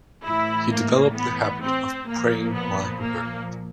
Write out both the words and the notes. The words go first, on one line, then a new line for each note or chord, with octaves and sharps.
He developed the habit of praying while he worked.
A2 E3 E4
A#3
B3
C4
A#2 F3 A#3
B3
A#3